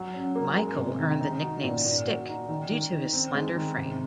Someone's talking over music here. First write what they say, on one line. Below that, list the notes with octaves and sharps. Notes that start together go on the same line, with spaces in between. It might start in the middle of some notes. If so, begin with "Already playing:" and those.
Michael earned the nickname "Stick" due to his slender frame.
Already playing: F#3
C#4
A#3
G#3
C3
D#3
D#4
F#4
A#2
A#2
F#4
D#4
D#3
D#3
D#3
C4
G#3
D#3
C3